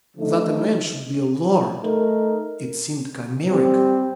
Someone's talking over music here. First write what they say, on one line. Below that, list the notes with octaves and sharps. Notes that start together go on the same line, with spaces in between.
That a man should be a lord!--it seemed chimerical.
D3 F3 A3 D#4
A3 D#4 A#4
G3 C4 G4